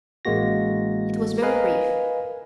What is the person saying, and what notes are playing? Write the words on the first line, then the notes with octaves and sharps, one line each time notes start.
It was very brief.
A1 G#3 A#3 F#4 A#6
A#4 B4 D#5 F5 G#5